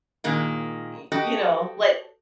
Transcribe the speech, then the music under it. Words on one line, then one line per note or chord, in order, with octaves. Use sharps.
Y you know, like
A#2 D#3 G#3 A#3
F#4 G4 A4 D#5